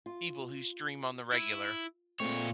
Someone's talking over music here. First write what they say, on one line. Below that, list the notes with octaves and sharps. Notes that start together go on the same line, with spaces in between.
people who stream on the regular.
F4
E4
A#2 G#3 A3 C4 C#5